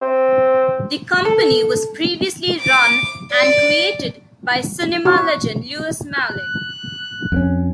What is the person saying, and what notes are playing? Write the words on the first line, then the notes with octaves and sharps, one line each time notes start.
The company was previously run and created by cinema legend Louis Malle.
C4
A4
D6
D5
F#4
F#6
F2 A#3 C#4